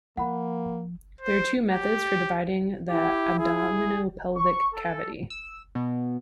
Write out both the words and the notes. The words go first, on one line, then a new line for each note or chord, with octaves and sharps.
There are two methods for dividing the abdominopelvic cavity.
F3 A#3 F#5 B5
C5
G4
E4 G4
G#4
C#6
A4
E6
B2